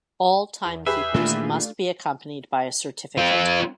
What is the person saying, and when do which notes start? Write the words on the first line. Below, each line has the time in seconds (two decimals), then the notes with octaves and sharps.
All timekeepers must be accompanied by a certificate.
0.65 E2
0.86 G4 G#4 B4 E5
1.14 A#2 D#3 E3 A3 D4 F4
3.18 C4 F4